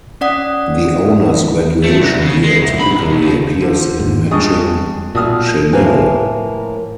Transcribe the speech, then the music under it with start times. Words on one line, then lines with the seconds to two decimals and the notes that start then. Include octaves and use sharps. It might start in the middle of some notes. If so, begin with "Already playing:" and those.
The owner's graduation year typically appears in matching chenille.
0.21 C#4 D5 F#5 D#6 B6
1.84 A3
1.99 C2
2.22 C#3
2.44 G#3
2.58 C2
2.80 B5
2.91 F#2
3.10 B1
3.22 D#2
3.62 D3 F3
4.00 E2 G#2
4.31 G2 G#3 C#6 D#6
5.15 B1 A#2 D#6 F6
5.73 A2 F3 A#3 A#4 B4 G#5